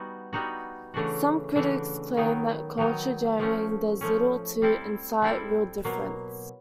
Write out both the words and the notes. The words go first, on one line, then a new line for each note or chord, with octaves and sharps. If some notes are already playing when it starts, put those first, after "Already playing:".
Some critics claim that culture jamming does little to incite real difference.
Already playing: G3 B3 D#4 F#4
G3 B3 D#4 F#4
C#3 E3 A3 D4 F#4
C#3 E3 A3 D4 F#4
D#3 F#3 B3 D#4
D#3 F#3 B3 D#4
F3 A3 C#4
F3 A3 C#4
G3 C4 E4 A4
G3 C4 E4 A4
B2 F#3 A#3